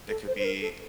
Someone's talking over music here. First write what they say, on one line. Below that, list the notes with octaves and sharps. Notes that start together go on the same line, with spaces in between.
It could be
A4
C5
C5
A#4
A4